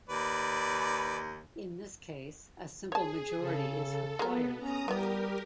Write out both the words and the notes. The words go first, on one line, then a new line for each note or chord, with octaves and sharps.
In this case, a simple majority is required.
D#2 B4 D5
G#4 C#5 A5
C#3 A4
G#3 A#3 B3 A#4
C#4 A#5 D#6
E3 G3 B3 G4 A#4